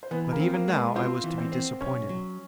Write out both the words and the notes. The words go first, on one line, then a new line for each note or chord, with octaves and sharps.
But even now I was to be disappointed.
C5
E3 B3 B4
B4
A#3 A#4
C4
A#3 A#4
G#3
B3 B4
C4 F4 C5
E3
C4 C5
C4
B1 C#4 C#5
F#3